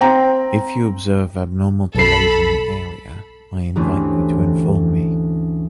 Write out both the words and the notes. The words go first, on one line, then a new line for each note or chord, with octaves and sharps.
If you observe abnormal delays in the area, I invite you to inform me.
C4 G5 A#5
B1 A4 B5 C7
D2 G2 E3 A3 C4 C#4